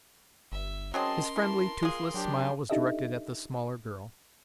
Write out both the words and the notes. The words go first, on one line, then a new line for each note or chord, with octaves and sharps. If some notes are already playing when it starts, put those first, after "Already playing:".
His friendly, toothless smile was directed at the smaller girl.
G1 E5
F#3 C4 C#4 G#4 A#4 D#5 A5 C6
E3 A5
G#3 F4 G#4
F#3 D4 G4
D4 D#4 G4 A4 D#5 E5